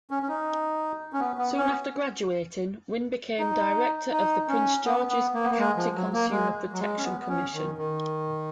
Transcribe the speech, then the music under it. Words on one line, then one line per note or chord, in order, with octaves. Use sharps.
Soon after graduating, Wynn became director of the Prince George's County Consumer Protection Commission.
C#4
C#4
D#4
C#4
B3
B3
C#4
D#4
D#4
C#4
B3
B3
A#3
B3
A#3
G#3
F3
F#3
A#3
G#3
F#3
G#3
C#4
B3
B3
C#4
D#3
D#3